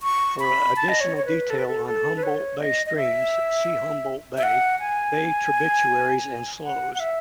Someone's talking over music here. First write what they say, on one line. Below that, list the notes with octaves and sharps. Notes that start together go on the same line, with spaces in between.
For additional detail on Humboldt Bay streams, see Humboldt Bay: Bay tributaries and sloughs.
C#6
B5
A5
D#5
C#5
C#5
B4
A4
B4
A4
A4
B4
C#5
D#5
D#5
E5
E5
F#5
G#5
F#5
F#5
E5